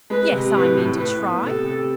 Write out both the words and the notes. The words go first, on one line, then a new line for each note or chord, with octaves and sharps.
"Yes; I mean to try."
G#3 B4
C3
A2 B4
A2
A2 B4
B3
C3 A4
C3